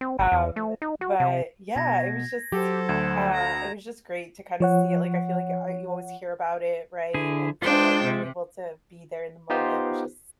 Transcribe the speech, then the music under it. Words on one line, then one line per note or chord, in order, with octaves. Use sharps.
Um, but yeah, it was just, uh, it was just great to kinda see it, like, I feel like I you always hear about it, right, and so, like, being able to be there in the moment was just
C4
G#1
E2
A3
D#4
F#4
C3
B2 G#6 A#6
F#3 G4 A4 C5
D2 G#6 E7
A#5
F3 C#5 F#5
D3 E4 G#4
G#3 D4 F4 C5 G5
C3
B3 D#4 F4 G4 C5